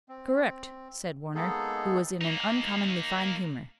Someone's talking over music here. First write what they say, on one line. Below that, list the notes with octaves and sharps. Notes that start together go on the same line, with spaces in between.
"Correct," said Warner, who was in an uncommonly fine humor.
C4
G#3 A#3 B3 D#4 G#4 A4
A#3 D#4